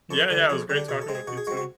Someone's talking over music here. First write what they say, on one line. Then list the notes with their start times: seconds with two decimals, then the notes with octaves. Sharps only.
Yeah, yeah. It was great talking with you, too.
0.11 F2 A4
0.30 D3 G3
0.49 F2 G#4
0.69 D3 G3
0.76 D4
0.88 B2 G#4
1.02 A4
1.08 G#3 C4
1.15 G#4
1.27 B2 F#4
1.37 G#4
1.47 G#3 F#4
1.51 C4
1.57 F#4